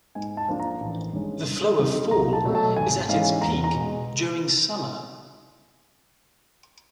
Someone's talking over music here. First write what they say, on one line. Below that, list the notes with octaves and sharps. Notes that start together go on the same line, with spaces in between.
The flow of fall is at its peak during summer.
G#2 G#5
A5
F3 A#3 D4
A#5
A1
G2 D#3 G#3 C#4
G2
D#3 G3 C4 D#4
B1 A#5
A5
B2 F#3 A3
A5
G#1 G#5
G#2 E3 G#3 C#4 F5
E2 A#5
A#5
B2 G#3